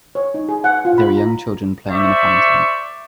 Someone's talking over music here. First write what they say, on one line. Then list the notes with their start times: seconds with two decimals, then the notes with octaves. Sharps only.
There are young children playing in a fountain.
0.15 C#5
0.34 D#4
0.49 G#4
0.64 F#5
0.85 F4
0.98 B5
1.17 A#5
1.89 C5 D5 E5 C#6